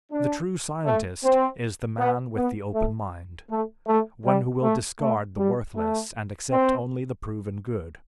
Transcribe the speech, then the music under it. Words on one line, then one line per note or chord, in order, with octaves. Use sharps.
The true scientist is the man with the open mind, one who will discard the worthless and accept only the proven good.
D4
A3
C4
B3
B3
A3
A3
A3
G3
A3
A3
G3
A3
C4